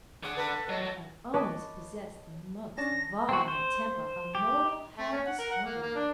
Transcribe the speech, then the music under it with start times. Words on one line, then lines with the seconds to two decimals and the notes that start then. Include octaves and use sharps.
I have always possessed the most violent temper a mortal had to struggle with.
0.23 D3 G#4 F#5
0.37 A4 B4
0.69 F#3 D#5
1.34 B4 C#5 D#5 A5 D6
2.78 C#4 D4 A5 A#6
3.29 C4 F#4
3.48 C5
4.35 G4
4.97 A3
5.13 C#4
5.26 F#5
5.39 A#4
5.51 F#5
5.65 A#3
5.82 A#3
5.95 D4